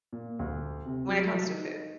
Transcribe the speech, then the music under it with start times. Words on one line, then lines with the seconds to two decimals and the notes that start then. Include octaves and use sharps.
when it comes to food.
0.13 A#2
0.39 D2
0.86 C3
1.08 F#3
1.48 D#4